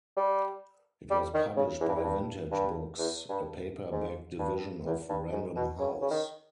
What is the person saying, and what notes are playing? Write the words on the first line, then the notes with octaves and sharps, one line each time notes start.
It was published by Vintage Books, a paperback division of Random House.
G3
G3
D#3
C#3
E2
G2
E2
G2
G2
E2
G2
G#2
G2
E2
G2
G#2
B2
C#3
C#3
D#3